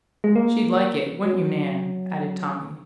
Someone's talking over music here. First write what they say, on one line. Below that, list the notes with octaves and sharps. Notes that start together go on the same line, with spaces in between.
"She'd like it; wouldn't you, Nan?" added Tommy.
G#3
A#3
F#3